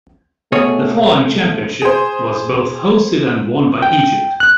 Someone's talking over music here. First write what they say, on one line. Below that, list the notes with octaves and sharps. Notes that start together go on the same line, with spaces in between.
The following championship was both hosted and won by Egypt.
B2 A3 G#4 C#5
A3
G#4 C5
G5
F#6